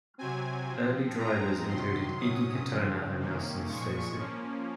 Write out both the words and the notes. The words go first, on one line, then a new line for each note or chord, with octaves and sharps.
Early drivers included Iggy Katona and Nelson Stacy.
C3 F#3 C4 G#5
F3 C4
F3 G#3 C4 A#5
C3 D#3 F#3 C6
C3 F#3 C#4 D#6
C#3 F3 C4
C3 D#3 A#3 C#4
A#2 F3 G#3 C#6
F3 A#3 C#4